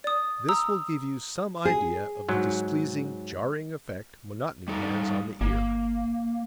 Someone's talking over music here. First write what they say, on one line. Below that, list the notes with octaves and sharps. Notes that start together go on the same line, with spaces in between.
This will give you some idea of the displeasing, jarring effect monotony has on the ear.
D5 D#6
A#5 D#6 E6
G#4
G#2 F#3
G3 D#4 A4
G1 A#3